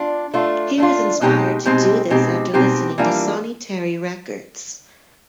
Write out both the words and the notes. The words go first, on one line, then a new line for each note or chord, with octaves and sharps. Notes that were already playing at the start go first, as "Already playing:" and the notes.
He was inspired to do this after listening to Sonny Terry records.
Already playing: D4 F4
A3 D4 F4
A3 D4 F4
B2 G#3 C4 D#4 G4
B2 G#3 C4 D#4 G4
B2 G#3 C4 D#4 G4
B2 G#3 C4 D#4 G4
E3 G3 A#3 D4 F4